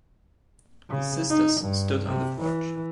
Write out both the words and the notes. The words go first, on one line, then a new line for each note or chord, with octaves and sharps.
The sisters stood on the porch.
C#3
D#4
G2
C3
E3